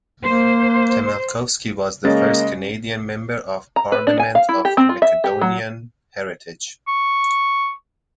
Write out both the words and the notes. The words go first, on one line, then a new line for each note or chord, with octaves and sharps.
Temelkovski was the first Canadian Member of Parliament of Macedonian heritage.
A#3 C5
C#3 G#3 A#3 C#4 D#5 A6
A#5
B4
D4
G#5
F5
E4
G4
C4
F4
E5
G4
F#3
C#6